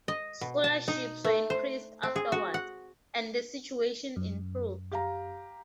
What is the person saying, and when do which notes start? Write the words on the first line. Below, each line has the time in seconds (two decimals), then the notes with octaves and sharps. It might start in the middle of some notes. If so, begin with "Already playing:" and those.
Scholarships were increased afterwards, and the situation improved.
0.08 D#5
0.41 B2
0.64 A5
0.88 D#4
1.25 A3
1.50 C5
2.03 C4
2.16 G#4
2.32 F#4
2.54 F#5
4.16 F#2
4.92 G4 F5 A#5